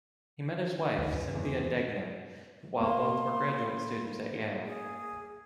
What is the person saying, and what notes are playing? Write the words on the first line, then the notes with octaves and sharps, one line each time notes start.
He met his wife, Cynthia Degnan, while both were graduate students at Yale.
D2 D#3
G2 E3
E2 G#3
A#3 B5 C6
G#4